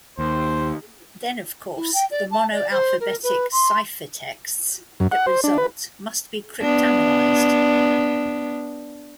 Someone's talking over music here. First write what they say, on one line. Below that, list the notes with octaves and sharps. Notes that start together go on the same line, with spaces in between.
Then, of course, the monoalphabetic ciphertexts that result must be cryptanalyzed.
D#2 C5
E4
G5
D5
A5
D5
C5
A#4
B4
C6
F#2
F#5
C5
D4
B4
B3 D4